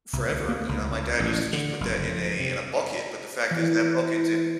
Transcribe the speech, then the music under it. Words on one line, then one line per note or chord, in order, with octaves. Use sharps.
forever, you know, my dad used to just put that in a in a bucket, but the fact is that bucket di
C2
D2
A#3
C#2
C#2
A1
D3
F#1
F2
C3
E3